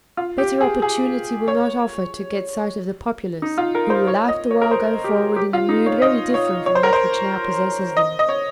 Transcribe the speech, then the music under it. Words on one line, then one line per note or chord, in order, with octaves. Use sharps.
Better opportunity will not offer to get sight of the populace who will afterwhile go forward in a mood very different from that which now possesses them.
F4
G4
G#4
G#4
C#5
D#4
F4
A#4
C5
C#5
D#5
C#5
A#4
C5
G4
G4
F4
D#4
C#5
D#5
C#5
C#5
C5
A#4
C5
D#5
D#5
C#5